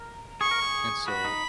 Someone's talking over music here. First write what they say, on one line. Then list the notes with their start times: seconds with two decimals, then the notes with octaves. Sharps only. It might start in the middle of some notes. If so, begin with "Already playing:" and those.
and so,
Already playing: A#4
0.41 G#4 C#6
0.51 A#4
0.62 G#4
1.08 F#4 B5
1.25 D#4